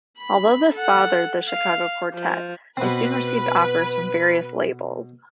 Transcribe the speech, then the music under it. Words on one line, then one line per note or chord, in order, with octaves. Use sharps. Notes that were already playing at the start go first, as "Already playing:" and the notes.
Although this bothered the Chicago quartet, they soon received offers from various labels.
B5
A4 F#5
F5
F3
B2 C4 B4